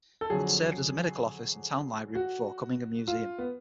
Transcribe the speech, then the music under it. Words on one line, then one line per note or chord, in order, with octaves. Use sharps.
It served as a medical office and town library before becoming a museum.
A4
F2 D3 F#3 G#4
F#4
F4
B3